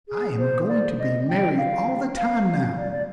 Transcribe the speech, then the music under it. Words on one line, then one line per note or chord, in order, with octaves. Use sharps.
I am going to be merry all the time now.
G#4
C5
D5
D#5
G5
F5
F5
D5
D5